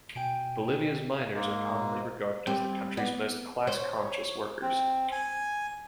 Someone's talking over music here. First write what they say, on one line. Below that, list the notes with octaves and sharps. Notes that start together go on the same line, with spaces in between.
Bolivia's miners are commonly regarded as the country's most class-conscious workers.
B2 G5 G#5 D7
G#2 G#3 A#3
G3 C4
B3 D5
C5 C#5
C4
G#5